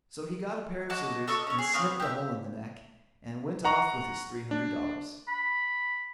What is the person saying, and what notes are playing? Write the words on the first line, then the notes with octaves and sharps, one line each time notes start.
So he got a pair of scissors, and snipped a hole in the neck, and went off with his three hundred dollars.
F#4 D#5 A5 D6
A4 D#5 C#6 E6
C#4 C#5
G#4
B3 C4 C#5 F5
G4 E5
F#5 A#5 C#6
D4
B5